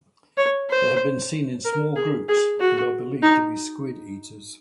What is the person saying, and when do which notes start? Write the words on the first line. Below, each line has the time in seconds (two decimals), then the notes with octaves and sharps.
They have been seen in small groups, and are believed to be squid eaters.
0.38 C#5
0.69 C5
1.64 A#4
1.96 G#4
2.29 G#4
2.60 F#4
3.23 D#4